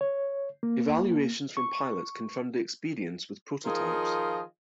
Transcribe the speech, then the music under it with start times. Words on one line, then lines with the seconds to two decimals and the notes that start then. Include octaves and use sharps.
Evaluations from pilots confirmed the experience with prototypes.
0.01 C#5
0.63 A#3
1.57 C#6
3.65 D#3 F3 F4 G#4 D#5